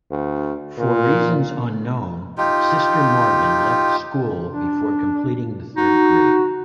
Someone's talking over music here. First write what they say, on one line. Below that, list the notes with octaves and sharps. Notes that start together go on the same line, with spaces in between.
For reasons unknown, Sister Morgan left school before completing the third grade.
D2
A#2
D#4 F4 G4
D4
D#4 F#4